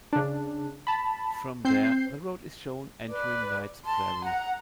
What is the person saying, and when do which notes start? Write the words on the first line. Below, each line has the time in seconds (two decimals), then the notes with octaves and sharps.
From there, the road is shown entering Knight's Prairie.
0.13 C#3 D4
0.87 A5 B5
1.65 C4 G6 C7
3.10 B4 D5
3.86 A5 C6
4.24 F#5 A#5